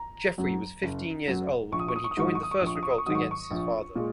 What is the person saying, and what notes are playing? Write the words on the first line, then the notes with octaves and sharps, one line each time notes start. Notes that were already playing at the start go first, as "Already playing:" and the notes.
Geoffrey was fifteen years old when he joined the first revolt against his father.
Already playing: A#5
F#2 F#3
F#1
F#2 F#3
A#1 C#6
D#6
C#6
D#6
C#6
D#6
G#2 D#3 F#3 C#6
D#6
C#6
D#6
C#6
A#1 D#6
C#6
D#6
C#6
D#6
C#6
G#2 D#3 F#3 D#6
C#6
D#6
C#6
A#1
A#2 G#3